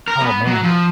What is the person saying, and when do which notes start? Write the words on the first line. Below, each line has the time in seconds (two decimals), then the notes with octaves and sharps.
Oh, man.
0.08 A#4
0.21 B3
0.47 F#3
0.63 F3